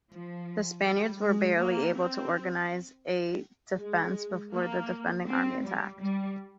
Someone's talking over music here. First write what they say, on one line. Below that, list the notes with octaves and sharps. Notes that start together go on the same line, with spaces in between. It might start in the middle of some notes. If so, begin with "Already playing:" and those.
The Spaniards were barely able to organise a defence before the defending army attacked.
F3
G3
G#3
A#3
C4
G#3
A#3
C4
G3
G3